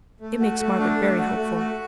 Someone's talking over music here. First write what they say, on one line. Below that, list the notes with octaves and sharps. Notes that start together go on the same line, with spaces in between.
It makes Margaret very hopeful.'
A3
F#4
A3
D4
A3
F#4
A3
F#4